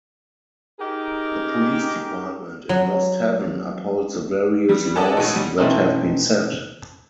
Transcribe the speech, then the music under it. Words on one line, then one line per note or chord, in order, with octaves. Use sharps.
The police department in Lost Heaven uphold the various laws that have been set.
D#4 G4 G#4 A#4
F#3
E3 G3
A4 D5 D#5 F#5 G#5 A5
A1 B2 D#4 G#4 D#7
G3
B2 E3 A3 C4 D4 D#4